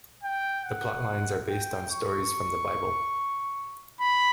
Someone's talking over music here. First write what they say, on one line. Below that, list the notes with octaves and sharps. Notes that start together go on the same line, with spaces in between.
The plotlines are based on stories from the Bible.
G5
F#5
G5
C#6
B5